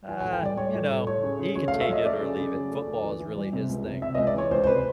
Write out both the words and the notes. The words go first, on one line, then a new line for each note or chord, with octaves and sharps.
uh, you know, he can take it or leave it. Football is really his thing, but,
E3 G#5
G#5
A2
G5
G3 D5
G3 C#5
A2
A2
A3 C#5
C#3
C#3
F#3 C#5
F5
A3
E5
F#3 D#5
A3 D5
C#3
C#3
F#3
A3
D2
E3
E3
G3
C3
C#2
C3
C3 E5
C#2 D#5
D5
E3 C#5
C#2 C5
C5
C3 B4